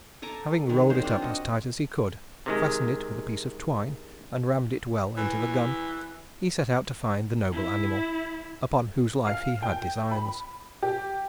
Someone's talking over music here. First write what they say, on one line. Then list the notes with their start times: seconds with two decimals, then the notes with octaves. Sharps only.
Having rolled it up as tight as he could, fastened it with a piece of twine, and rammed it well into the gun, he set out to find the noble animal upon whose life he had designs.
0.22 A4 G#5 A#5 D6
0.69 D#3 G#3
0.90 F#3 G#3 C5
1.03 C4 D4 F4
1.22 F#4 D#5
2.46 C3 D#3 G#3
5.17 E3
7.52 E4
9.27 F5
9.62 G5
10.11 B5
10.82 G4